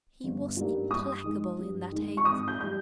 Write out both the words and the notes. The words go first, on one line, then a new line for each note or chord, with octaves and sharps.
He was implacable in that hate.
G1
G2 D#3 G3 A#3
G2 D#6
D#3 G#3
G2
D#3 G#3
C#6
G#1 D#6
G6
G3 G6